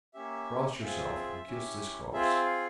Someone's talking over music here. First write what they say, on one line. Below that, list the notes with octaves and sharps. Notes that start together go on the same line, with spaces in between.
Cross yourself and kiss this cross.
A#3 C#4 G4 E5
C4 F4 G#4 E5
C#4 E4 G4
C4 F4 G#4 E5
F5